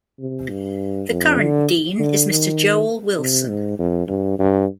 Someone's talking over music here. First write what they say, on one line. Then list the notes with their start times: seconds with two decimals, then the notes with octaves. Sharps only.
The current Dean is Mr Joel Wilson.
0.20 C3
0.50 G2
1.09 F2
1.39 D3
1.99 D3
2.29 D#3
3.19 C3
3.49 G#2
3.79 F2
4.08 G2
4.39 G2